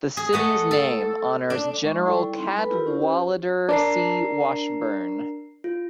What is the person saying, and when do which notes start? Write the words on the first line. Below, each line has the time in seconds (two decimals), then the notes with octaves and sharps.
The city's name honors General Cadwallader C. Washburn.
0.17 G#4
0.33 A3 D#5 F#5
0.71 A4
1.50 D4
1.83 G#3 D#4 E5 C#6 D6
2.05 G3 E4 A4 D5 G5 C#6
2.36 G3 C4 D#4 C6
2.57 A4 B4 G#5 B5
2.70 E4 F4 G4 A#4
2.86 C#4 G4 C5
3.69 D4 A#4 A#5 C7
5.64 F4